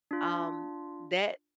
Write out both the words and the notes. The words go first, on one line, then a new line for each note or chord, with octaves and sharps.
um, that
D4 F4